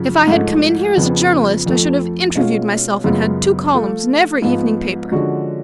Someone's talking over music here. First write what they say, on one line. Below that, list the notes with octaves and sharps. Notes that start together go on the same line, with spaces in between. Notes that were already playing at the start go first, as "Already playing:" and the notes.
If I had come in here as a journalist, I should have interviewed myself and had two columns in every evening paper.
Already playing: F#2 C#3 F3
G#2 F3 A3
F2 C#3 F3 B3
F2 F3 A3
B2 G#3 C#4 F4
F#2 C#3 G#3 B3 F4
F3 A3 F4
G#2 F3 B3 F4
D3 F3 G#3 C#4 F#4